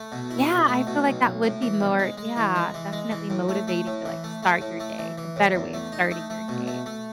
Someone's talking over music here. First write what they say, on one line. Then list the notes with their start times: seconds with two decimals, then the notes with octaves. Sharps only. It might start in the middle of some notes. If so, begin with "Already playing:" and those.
Yeah, I feel like that would be more, yeah, definitely motivating to, like, start your day, a better way of starting your day.
Already playing: A3
0.12 B2
0.30 E4
0.49 B2
0.68 A3
0.87 B2
1.06 B1
1.24 B1
1.43 A2
1.62 E3
1.80 B1
1.99 G#3
2.18 G#3
2.36 E3
2.55 G#3
2.74 E3
2.92 G#3
3.11 E3
3.30 A2
3.49 A3
3.67 A3
3.87 A2
4.05 E3
4.24 A3
4.43 A3
4.61 A2
4.80 A3
4.99 E3
5.18 E3
5.36 A2
5.55 E2
5.73 A3
5.92 D#4
6.11 A3
6.30 A3
6.48 B2
6.67 A3
6.86 A3